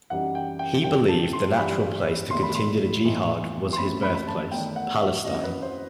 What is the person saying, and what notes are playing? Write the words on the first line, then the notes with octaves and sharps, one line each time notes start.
He believed the natural place to continue the jihad was his birthplace, Palestine.
F#2 E3 G3 D#4 F#5
G5
G5
F#2 D#3 G3 C4 G5
A5
C6
G2 E3 G3 B5
E2 D#3 A3 C6
B5
C6
A2 E3 B3 D#4
C6
F#2 E3 A3 C4 B5
B5
B5
A5
E2 D#3 A3 D#4 G5
F#5
E5
F#2 F#3 C4 E4 D#5
B4
C5